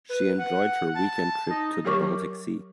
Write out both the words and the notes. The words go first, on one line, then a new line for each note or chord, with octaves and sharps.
She enjoyed her weekend trip to the Baltic sea.
B4
F#5
A5
D#4
F#3 G4 A#4 C#5 C#6 D6